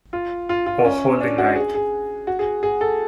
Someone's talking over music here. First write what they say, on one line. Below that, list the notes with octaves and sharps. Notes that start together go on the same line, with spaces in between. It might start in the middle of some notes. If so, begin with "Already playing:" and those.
O holy night.
F4
F4
F4
C#4
D4
F#4
G#4
G#4
F#4
G#4
G#4
A4